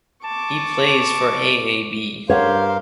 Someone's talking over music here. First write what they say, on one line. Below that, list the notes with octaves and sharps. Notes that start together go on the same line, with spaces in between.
He plays for AaB.
A5 C#6 D6
G2 G4 A#4 C5 C#5 F5 F#5